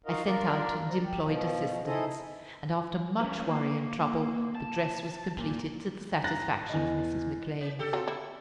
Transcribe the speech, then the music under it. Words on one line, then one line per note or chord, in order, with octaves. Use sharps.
I sent out and employed assistants, and, after much worry and trouble, the dress was completed to the satisfaction of Mrs. McClean.
D#4 F4 F#4 A#4 D#5 F5
D4 F4 A#4 D5
D3 C5 A#5
G4
B2 F3
D#4 E4 G#4 A4 C5 D#5
C#4 B4
A#3
A5
A#2
A#5 F#6 A6 A#6
E2 D#5
C#4
G4 A4
F#3 C4 F4
E4